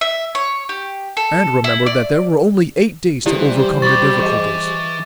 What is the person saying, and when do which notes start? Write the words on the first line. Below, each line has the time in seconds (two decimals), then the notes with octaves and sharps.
And remember that there were only eight days to overcome the difficulties.
0.01 E5
0.35 C#5
0.69 G4
1.17 A4
1.64 E4
1.86 D5
3.26 E3 G3 E4 G4 C5 D5
3.82 C#2 B5 C#6 D6 A6
4.19 E3 G#4 D#5 C#6 D6